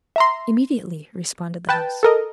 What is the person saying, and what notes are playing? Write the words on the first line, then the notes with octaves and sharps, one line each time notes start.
"Immediately," responded the host.
E5 A#5 C6
B4 G5 A5
A4 A#4 D#5